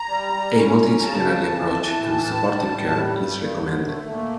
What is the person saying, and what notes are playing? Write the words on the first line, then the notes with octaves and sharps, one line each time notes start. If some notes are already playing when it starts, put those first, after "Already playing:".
A multidisciplinary approach to supportive care is recommended.
Already playing: A#5
G3
G3
C#4
C#4
C#3 A5
F2
E3
E3
A2
A2
G3
A2
G3
G2
G2
D3
A3
A#2